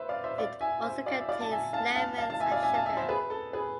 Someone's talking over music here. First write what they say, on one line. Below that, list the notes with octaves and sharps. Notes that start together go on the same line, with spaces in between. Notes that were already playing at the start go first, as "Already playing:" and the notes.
It also contains lemons and sugar.
Already playing: B4 C5 E5
D5 F5
C5 E5
D5 F5
E5 G#5
C5 E5
D5 F5
E5
D5 F5
A5
E5 G#5
F5 A5
F5 A5
F5 A5
F5 A5
E5 G#5
D5 F5
E5 G#5
F5 A5
E5 G#5
C5 E5
G#4 B4
A4
G#4 B4